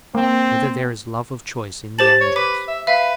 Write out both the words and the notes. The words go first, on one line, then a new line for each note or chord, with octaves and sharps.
Whether There Is Love of Choice in the Angels?
A#3 C4
G4 C5 A5 F#7
C#5
B4 D6
E5
B4 E5 F5